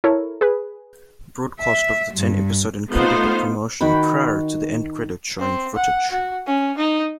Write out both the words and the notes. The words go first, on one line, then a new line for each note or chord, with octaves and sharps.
Broadcast of the ten-episode included a promotion prior to the end credits showing footage.
E4 A4 A#4 C#5
G#4 B4
E5
G2
A3 B3 D#4 F4 C5 F5
D#3 F#4 G5 B5
C4
F#5
F#4
C#4
D#4